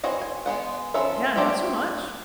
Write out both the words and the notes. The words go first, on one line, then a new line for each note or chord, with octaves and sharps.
yeah, not so much.
E3 C4 F#4 C#5 D#5
G#5
G#3 B3 F#5
F3 C#4 F4 B4 E5
D4 G4 C5 C#5 E5